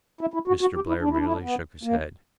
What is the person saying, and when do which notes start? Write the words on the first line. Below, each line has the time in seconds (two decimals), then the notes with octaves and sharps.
Mr. Blair merely shook his head.
0.21 E4
0.34 E4
0.48 F#4
0.61 F#4
0.75 G4
0.88 E4
1.01 D4
1.10 E4
1.17 D4
1.25 E4
1.33 D4
1.43 B3
1.83 A#3